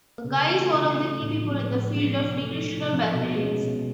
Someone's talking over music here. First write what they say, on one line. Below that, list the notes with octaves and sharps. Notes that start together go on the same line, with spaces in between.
Guy is one of the key people in the field of recreational mathematics.
C#3
E3 A3 C#4 F4
C#3
E3 A3 C#4 F4
A2
F3 G#3 C4
A2
F3 G#3 C4
C3
F3 A3
C3
F3 A3
B2
G#3 C#4
B2